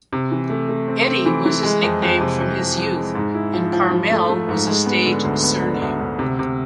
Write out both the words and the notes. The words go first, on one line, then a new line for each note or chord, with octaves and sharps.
"Eddie" was his nickname from his youth, and Carmel was a stage surname.
C3
E3
A3
A3
C4
C4
E3
E3
G#3
F2
F2
C3
C3
F2
F2
G#3
G#2
E4
F3
F3
F3
A3
A3
G#2
G#3
B3
D3
D2
B3
D3
D2
D2
C3
C3